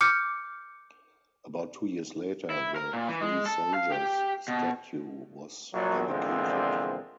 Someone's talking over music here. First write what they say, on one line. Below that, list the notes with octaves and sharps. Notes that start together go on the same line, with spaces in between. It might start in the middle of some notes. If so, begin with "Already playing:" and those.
About two years later the Three Soldiers statue was dedicated.
D6 F6 G6 C#7
E4
A#4
A#2
E3
G#3
A4
F5
G4
B2
A#1 F#3
E2 A#2 D3 F3 G#3 C4